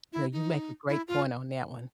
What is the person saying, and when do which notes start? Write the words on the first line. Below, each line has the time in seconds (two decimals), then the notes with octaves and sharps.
So you make a great point on that one.
0.13 E4
0.32 D#4
0.89 E4
1.08 F4